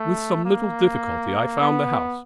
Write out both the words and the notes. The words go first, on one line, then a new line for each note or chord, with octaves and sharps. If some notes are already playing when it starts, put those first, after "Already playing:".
With some little difficulty I found the house.
Already playing: A3
A#3
B3